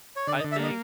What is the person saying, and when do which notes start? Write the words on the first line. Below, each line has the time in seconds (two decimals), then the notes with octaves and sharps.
I think
0.16 C#5
0.27 D3 D5
0.39 D#5
0.44 D3
0.52 E5
0.59 A#3 D#5